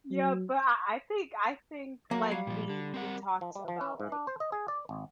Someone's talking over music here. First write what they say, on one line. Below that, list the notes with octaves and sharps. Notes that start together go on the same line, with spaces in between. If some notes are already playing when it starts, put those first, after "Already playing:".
Yeah, but I I think I think, like, we we talked about, like,
F#3
F#3 A#3 F#4
G3 F5
A#2 F3
D3
C4 A#4 F#5
F3
G3
F3
C#4
G#2
D4
C5
D#5
G#4
D5
G#1